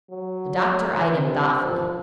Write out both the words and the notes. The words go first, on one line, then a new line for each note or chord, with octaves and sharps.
The doctor eyed him thoughtfully.
F#3
C3
F3